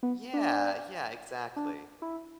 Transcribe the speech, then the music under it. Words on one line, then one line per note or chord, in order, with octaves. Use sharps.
Yeah yeah, exactly,
B3
D4
D4
E4